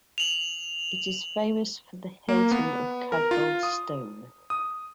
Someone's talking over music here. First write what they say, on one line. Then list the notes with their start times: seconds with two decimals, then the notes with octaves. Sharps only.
It is famous for the Hilton of Cadboll Stone.
0.18 F7 F#7
2.29 A#3
2.51 B3
3.12 A#4
3.31 F4
3.63 D#6
4.50 D#6